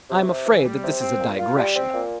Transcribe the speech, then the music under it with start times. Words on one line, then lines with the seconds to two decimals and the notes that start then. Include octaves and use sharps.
I am afraid that this is a digression.
0.10 C3
0.27 C3
0.46 E3
0.65 G3
0.83 C3
1.01 C4
1.20 A#2
1.38 F4
1.57 G3
1.75 C4
1.94 A#2